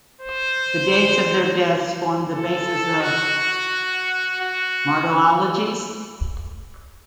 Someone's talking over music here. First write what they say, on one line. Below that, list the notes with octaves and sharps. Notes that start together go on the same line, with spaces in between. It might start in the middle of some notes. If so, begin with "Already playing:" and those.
The dates of their deaths formed the basis of martyrologies.
C5
A4
F#4
F#4